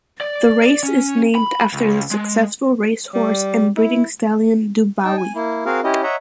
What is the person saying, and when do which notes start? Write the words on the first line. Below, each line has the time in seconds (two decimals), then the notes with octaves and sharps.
The race is named after the successful racehorse and breeding stallion Dubawi.
0.21 D5
0.63 D5
0.83 C#4
1.35 B5
1.73 C#2
2.11 G#3
3.14 G3
3.77 E4
5.04 D#4 G5 A5
5.17 G#5
5.35 A#3 E4
5.66 C4 F#4 G#4 A#4 F5
5.84 C#4 E4 G4 D#5
6.03 C#5 D#5 E5 F#5 A#5